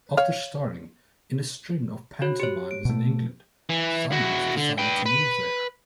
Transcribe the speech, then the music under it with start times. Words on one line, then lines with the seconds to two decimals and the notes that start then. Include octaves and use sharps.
After starring in a string of pantomimes in England, Symons decided to move there.
0.17 C#5 F5
2.22 F#4 C#5
2.40 G4 C#5
2.71 D7
2.85 B2 A3
3.70 E3
4.12 E4 F#4
4.57 D3
4.78 B4 G5
5.06 B4